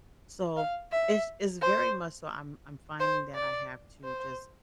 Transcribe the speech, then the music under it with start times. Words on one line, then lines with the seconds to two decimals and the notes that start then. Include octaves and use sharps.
so it's it's very much so, I'm-I'm finding that I have to just,
0.57 F5
0.92 E5
1.61 C5
3.00 C5
3.35 D5
4.04 C5